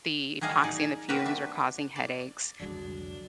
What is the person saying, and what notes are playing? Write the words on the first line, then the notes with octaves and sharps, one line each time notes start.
the epoxy and the fumes were causing headaches.
F#3 G3 G#4 D#5 F5
D#4 G#4 D5
C4 F#4 G4 A#4 B4
D4 E5
D5
C2 F2 D3 F#3 G#3 D4